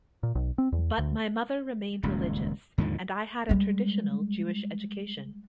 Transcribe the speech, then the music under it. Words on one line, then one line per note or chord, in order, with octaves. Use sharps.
But my mother remained religious and I had a traditional Jewish education.
A#2
B1
C4
E2
D2
D#1 C#2 F#2
D#2 G#2 D3 F3
G3 G#3